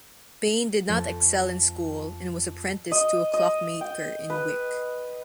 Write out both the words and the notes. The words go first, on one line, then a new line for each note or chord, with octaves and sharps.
Bain did not excel in school and was apprenticed to a clockmaker in Wick.
F2 A6
D#5
D#5
G5
B4